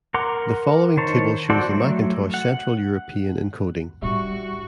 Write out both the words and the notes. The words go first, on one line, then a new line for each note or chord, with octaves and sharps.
The following table shows the Macintosh Central European encoding.
A#4 F#5 A#5 C6 D6
D#3 C5 C#5 A5
F#4 A4 C5 D5
F#3 A3
F#5
A2 G3 D4 F#4 G4 E5 C#6